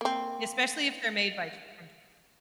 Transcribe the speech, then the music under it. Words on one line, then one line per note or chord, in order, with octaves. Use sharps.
especially if they're made by J from J
A#3 C4